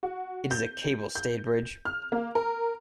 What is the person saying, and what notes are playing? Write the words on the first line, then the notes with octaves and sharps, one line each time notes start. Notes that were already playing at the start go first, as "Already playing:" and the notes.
It is a cable-stayed bridge.
F#4
G6
G6
F6
A#3
A#4